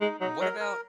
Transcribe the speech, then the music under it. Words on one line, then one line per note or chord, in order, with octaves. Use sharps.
what about,
G#3 D#4
F#3 D#4
F#3 A#4
A#4